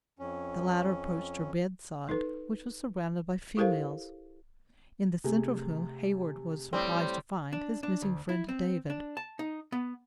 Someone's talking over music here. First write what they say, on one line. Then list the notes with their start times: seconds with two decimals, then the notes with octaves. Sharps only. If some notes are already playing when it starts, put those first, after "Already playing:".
The latter approached her bedside, which was surrounded by females, in the center of whom Heyward was surprised to find his missing friend David.
0.19 F2 C#4
2.09 D#4 A4 B4
3.57 E4 G4 A4 A#4 C5 F5
5.24 C3 A3 G#4
6.73 A2 G3 C4
7.53 D4
7.83 D4
8.02 D2
8.29 E4
8.49 C4
8.90 D4
9.17 A5
9.39 D#4
9.72 B3